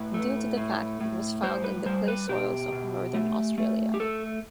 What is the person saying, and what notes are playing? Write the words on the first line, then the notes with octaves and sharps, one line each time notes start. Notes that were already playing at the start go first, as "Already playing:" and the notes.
Due to the fact it was found in the clay soils of northern Australia.
Already playing: A2 B4
A3
A2
A2
G3 C5
B4
G3 C5
B4
B2 G4
B2
A3
A3
G4
A3 A4